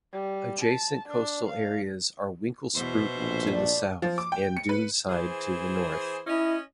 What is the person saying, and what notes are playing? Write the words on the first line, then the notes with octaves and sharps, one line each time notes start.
Adjacent coastal areas are Winklespruit to the south and Doonside to the north.
G3
A5
D4
F5
E2 B2 C5 E5
A#1
A2 D5
F3
D6
G5
C#7
B4
E3 G#4 C5
C#4 E4 D#5